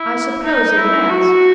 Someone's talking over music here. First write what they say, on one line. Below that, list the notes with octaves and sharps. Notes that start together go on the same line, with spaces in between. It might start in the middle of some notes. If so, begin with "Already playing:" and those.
I suppose it has.
Already playing: E4
D#4
E4
F#4